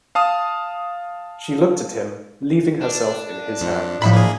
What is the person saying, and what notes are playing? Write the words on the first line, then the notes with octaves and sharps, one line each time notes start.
She looked at him, leaving herself in his hands.
F5 A5 D#6
D4
F2
A2 F3 E5 B5
A#3 G#4